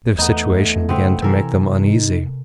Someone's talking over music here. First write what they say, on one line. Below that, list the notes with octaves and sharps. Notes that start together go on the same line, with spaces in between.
Their situation began to make them uneasy.
E2 A3 B3 D#4
G#6 A#6
A2 C#3 B3 C4
C3 E3 A4 A#4 F5 G#5
D#4